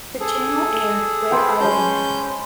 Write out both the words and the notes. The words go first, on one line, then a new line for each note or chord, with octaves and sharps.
The channel aired Where Are They Now?
G#4 A4
B4 C5 G5
G#3 C#4 A5 G6